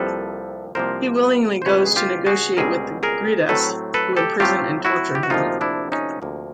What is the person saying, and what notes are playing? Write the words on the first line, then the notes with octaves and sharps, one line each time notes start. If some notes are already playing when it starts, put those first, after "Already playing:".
He willingly goes to negotiate with the Griddas, who imprison and torture him.
Already playing: C2 C3 F3 A#3 A4 B4
C2 C3 F3 A#3 A#4 C5
C5
C#2 B2 G3 C4 B4 C#5
G#4
F4 G4
F#4 G#4
C#2 B2 G3 C4 G#4 A#4
G#4 A#4
A2 F#3 A3 C4 A4 B4
A4 B4
G4 A4
A2 F#3 A3 C4 F4 G4
E4 F#4
G4
F#4
D2 C3 F3 A#3 D#4 F4
D4 E4
C#4 D#4
D2 C3 F3 A#3